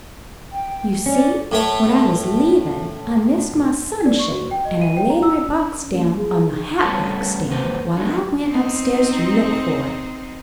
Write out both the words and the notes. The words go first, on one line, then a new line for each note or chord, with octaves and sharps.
You see, when I was leavin' I missed my sun-shade and I laid my box down on the hatrack-stand while I went upstairs to look for it.
G5
C#4 D5
A2 A3 C#5
D5
C#6
F#4
G5
D#5
D#7
G5
A#5
E6
C#4
A#3
G#4
D#4
A2 G3 B3 C#4 A4 A5
G#2 D#3 A#3 B4 C5
D3 F#3 D#4
C4 D#4